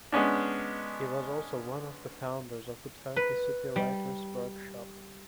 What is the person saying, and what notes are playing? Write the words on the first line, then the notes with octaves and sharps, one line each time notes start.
He was also one of the founders of the Turkey City Writer's Workshop.
G#3 B3 C#4 D4
B4
G3